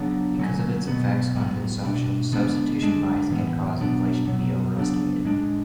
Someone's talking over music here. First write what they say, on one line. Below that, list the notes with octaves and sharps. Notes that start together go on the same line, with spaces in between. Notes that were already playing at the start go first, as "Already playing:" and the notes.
Because of its effect on consumption, substitution bias can cause inflation to be over-estimated.
Already playing: C#3 F#3 B3 D4
D3 F#3 A3 C#4
B2 F#3 B3
A2 F#3 B3
B2 A3 D4
D3 G#3 B3 D4
D3 G#3 D4
A2 E3 B3
B2 F#3 B3 D4
B2 F#3 B3
C#3 F#3 B3 D4
A2 G#3 D4